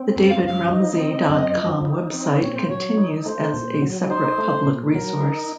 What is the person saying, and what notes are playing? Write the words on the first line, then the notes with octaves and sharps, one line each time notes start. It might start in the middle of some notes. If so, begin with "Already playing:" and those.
The davidrumsey dot com website continues as a separate public resource.
Already playing: C4
F#2
F5
F3 F5
D#4 D#5
C4
F#2
F3
D#4
C4
A#2 C#5
C5
F#3 C#5
D#4
A3 C5
A#2
F#3
D#4 C5
A3
A#2
F#3 A#4
D#4